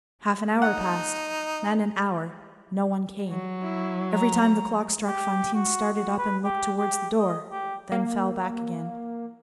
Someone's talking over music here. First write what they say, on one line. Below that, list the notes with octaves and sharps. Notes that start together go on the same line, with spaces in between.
Half an hour passed, then an hour, no one came; every time the clock struck, Fantine started up and looked towards the door, then fell back again.
D#4 F#5
F#3
E4
A#5
G4
F#4
F#4
B4
G4
G4
D#5
G4
A#3